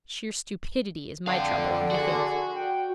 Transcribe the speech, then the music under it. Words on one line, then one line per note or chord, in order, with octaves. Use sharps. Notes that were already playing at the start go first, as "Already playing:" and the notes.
Sheer stupidity is my trouble, I think.'
F2 D3 F5 G5
F#4 G#4
G5